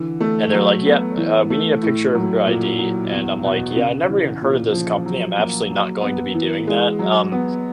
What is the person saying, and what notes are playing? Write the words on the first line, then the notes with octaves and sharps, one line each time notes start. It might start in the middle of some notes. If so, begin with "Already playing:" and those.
and they're like, "Yep, uh, we need a picture of your ID." And I'm like, "Yeah, I've never even heard of this company. I'm absolutely not going to be doing that." Um,
Already playing: D3 E3
A3
F#3
B3
E3
A3
A2
F#3
A#2
F#3
E2
B2
C#3
E3
A#2
F3
F#3
A#3
F#3
B3
E3
G#3
F#3
B3